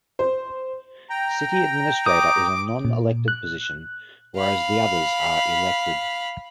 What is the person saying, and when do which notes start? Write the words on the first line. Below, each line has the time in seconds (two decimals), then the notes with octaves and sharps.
City Administrator is a non-elected position, whereas the others are elected.
0.19 C5
1.10 G5 A#5
2.06 D6 D#6
2.85 A#2
3.28 F#6
4.37 F5 B5